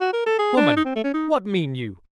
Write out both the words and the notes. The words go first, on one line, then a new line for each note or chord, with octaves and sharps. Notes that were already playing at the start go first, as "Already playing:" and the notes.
"Woman, what mean you?"
F#4
A#4
A4
G#4
D4
D#4
C4
A3
C#4
D#4